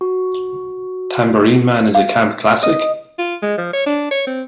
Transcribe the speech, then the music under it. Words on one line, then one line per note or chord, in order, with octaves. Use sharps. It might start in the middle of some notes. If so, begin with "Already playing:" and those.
Tambourine Man' is a camp classic?
F#4
F5
D#5
F4
G#3
F3
C#5
D4
C#5
C4